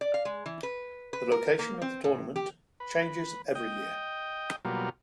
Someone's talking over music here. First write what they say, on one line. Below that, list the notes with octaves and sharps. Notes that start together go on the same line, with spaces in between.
The location of the tournament changes every year.
D5
F5
G#3
E3
B4
B4
A#4
A#3
C4
A2
G4
B4
D#5 G5
B2 F#3 G3 A#3 F4